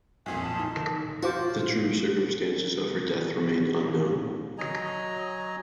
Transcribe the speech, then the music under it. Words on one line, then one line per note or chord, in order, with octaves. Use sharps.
The true circumstances of her death remain unknown.
B1 F2 A#2 G#5
A5
D#4
F4 F#4 C5 D6
F#3 D#5 G#5 A#5